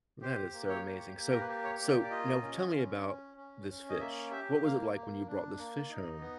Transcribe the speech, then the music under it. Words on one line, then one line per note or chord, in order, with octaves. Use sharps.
That is so amazing. So so now tell me about this fish. What was it like when you brought this fish home?
G4 C5
A#3
C#5
G4
A#3
A#4
B4
G4
C#5
A#3
D5
D5
F4 D#5
C#4
C#4
C#4
C#4
C#4
D#5
A#3 E5
G4 E5
A#3 F5
A#3
D4
A#3
D#4
B3